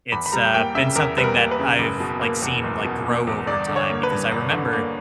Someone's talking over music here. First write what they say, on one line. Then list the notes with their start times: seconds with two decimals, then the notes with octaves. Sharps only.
It's, uh, been something that I've, like, seen, like, grow over time because I remember
0.12 E2 B5
0.26 B5
0.32 G3 A#5
0.54 A#3 G5
0.75 C#3 E5
0.96 E2 A#4
1.17 G3 B4
1.24 A#4
1.38 A#3
1.51 B4
1.59 C#3
1.79 F#1
2.00 B2
2.21 A#3
2.42 E2
2.64 F#1
2.85 B2
3.06 A#3
3.27 E2
3.47 G1 D5
3.68 D3
3.76 C#5
3.90 A#3
4.03 B4
4.11 G2
4.32 G1
4.52 D3
4.73 A#3